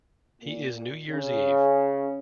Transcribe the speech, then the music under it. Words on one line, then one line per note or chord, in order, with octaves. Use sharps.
He is New Year's Eve.
A#2
C#3